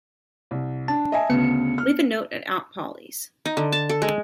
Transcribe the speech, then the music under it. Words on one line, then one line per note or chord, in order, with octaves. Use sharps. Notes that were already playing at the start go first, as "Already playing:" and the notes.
Leave a note at Aunt Polly's.
C2
D4 A5
D#5 E5 G#5
D2 C#3 B3 C#7
F6
D#4
D3
A5
A4
G#3